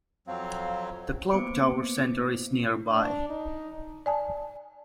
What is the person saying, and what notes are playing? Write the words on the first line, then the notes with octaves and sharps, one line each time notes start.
The Clocktower Centre is nearby.
F2 F#3 C4 F5
A#3 B3 C5 D6 C#7 D7
D4
D#4
D5 G#5 A5